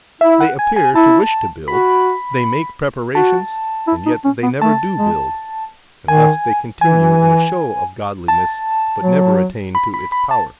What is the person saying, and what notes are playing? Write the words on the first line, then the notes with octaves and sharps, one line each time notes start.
They appear to wish to build, they make preparations, and yet they never do build; and thus they continue in a show of godliness, but never attain to its power.
E4 E5
F#5
G#5
G#5
E4 A5
F#4 B5
F#4 A5
E4
D#4
C#4
B3
A3 A5
G#3
D#3 G#5
E3 G#5
A5
F#3
B5
B5
B5
A5